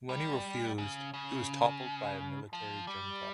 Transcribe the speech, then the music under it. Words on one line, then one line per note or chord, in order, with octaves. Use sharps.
When he refused, he was toppled by a military junta.
G3
C#3
C#3
F3
G3